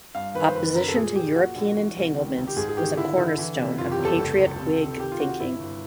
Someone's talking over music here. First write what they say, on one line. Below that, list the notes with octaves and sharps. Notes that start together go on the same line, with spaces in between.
Opposition to European entanglements was a cornerstone of Patriot Whig thinking.
G2 F5
D#3 B4
C5
F#1 B4
F#2 A#4
A4
A#2 G#4
A#2 G4
A#2 F#4
A#1
E3
C2
D#3
C#2
G4
G#2 G#4
G#4
D#3 G4
D3 E4
D3
E3
C3
F#1 F4
G4
E2
A4
C#2
C#2
C3
C3
D#3 G4
F4
C3 F#4
G1 E4
G1